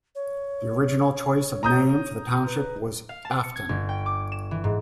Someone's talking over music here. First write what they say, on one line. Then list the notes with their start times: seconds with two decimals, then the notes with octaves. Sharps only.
The original choice of name for the township was Afton.
0.15 C#5
1.63 A#5 D#6 G6
2.46 B4
3.09 F5
3.25 A5
3.44 C#7
3.56 G#6
3.69 G1
3.89 G5
4.06 D6
4.32 E7
4.51 E3
4.64 G#2